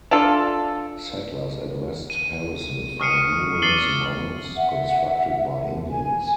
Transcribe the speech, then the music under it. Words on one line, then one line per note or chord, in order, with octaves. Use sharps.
Settlers at West Harrison found numerous mounds constructed by Indians.
D4 F4 A4
D#7
C#6 D#6 F6 C7 C#7 D#7
D6 A6 C7 D#7 F#7 G7
E5 F#5
G#5